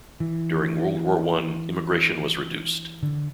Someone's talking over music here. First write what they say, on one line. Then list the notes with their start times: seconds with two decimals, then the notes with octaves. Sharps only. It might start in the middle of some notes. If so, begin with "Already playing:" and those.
During World War One, immigration was reduced.
0.20 E3
3.03 D3